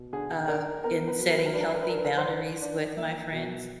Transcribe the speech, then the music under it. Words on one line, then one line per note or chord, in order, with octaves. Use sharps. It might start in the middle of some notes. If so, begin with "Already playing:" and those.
uh, in setting healthy boundaries with my friends.
Already playing: B2
D3 G#4
D4 A#4
B3 A#4
B4
F#3
A#4
B4
A#4
D4 B4
A#4
B4
A#4
B4
D4 A#4
B4
A#4
C5
D4 B4
D4
A#3 E5
B2